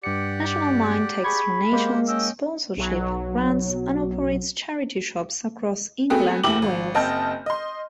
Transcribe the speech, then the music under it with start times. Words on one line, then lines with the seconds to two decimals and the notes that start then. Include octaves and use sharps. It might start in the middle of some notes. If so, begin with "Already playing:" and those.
National Mind takes donations, sponsorship, grants and operates charity shops across England and Wales.
0.04 G2 G4 D5 F#5 C#7
1.24 G#4 B5 C#6 G#6
1.72 G#3 A#3 G4 C5 F#5
2.08 C#4 D#5 G5 E6
2.77 B1 F#3
6.10 A3 B3 C4 F#4 G#4 G5
6.43 F#1 E2 E4 G4 D6 F#7
6.62 G#1
6.95 F#1 C4 D#5 A5 F6 G6
7.46 D#5 C6